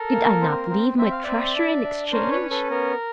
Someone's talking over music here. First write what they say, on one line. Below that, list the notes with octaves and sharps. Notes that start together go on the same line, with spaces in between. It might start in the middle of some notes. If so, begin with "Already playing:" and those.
"Did I not leave my treasure in exchange?"
Already playing: A4 A#4
A#3
C4
C4
C4 E5
F5
C4 D5 E5
D4
D4
C#4 A#4 C5
B4 C#5
C#4
A4 B4
B3 A#4